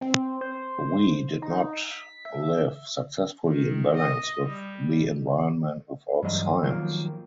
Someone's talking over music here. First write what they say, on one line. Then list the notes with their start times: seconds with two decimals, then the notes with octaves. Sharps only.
We did not live successfully in balance with the environment without science.
0.01 C4
0.41 C5
1.42 D#4
1.91 B6
2.25 E5
3.49 D#3
3.98 D#5
4.44 G3
6.22 G2 E3 F#3 D#5
6.63 D#3 F3 F#3 A#3